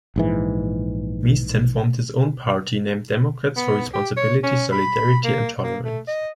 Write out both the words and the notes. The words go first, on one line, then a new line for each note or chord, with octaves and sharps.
Mestan formed his own party, named Democrats for Responsibility, Solidarity and Tolerance.
A#1 G#2 E3
B3
G4
C#5
C#4
B5
A#3
A#3
A3
D#5